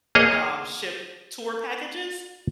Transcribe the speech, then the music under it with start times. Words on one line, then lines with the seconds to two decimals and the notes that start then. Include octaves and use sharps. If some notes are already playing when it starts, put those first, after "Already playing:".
um, ship tour packages.
0.15 A#3 G#4 C#5 D#5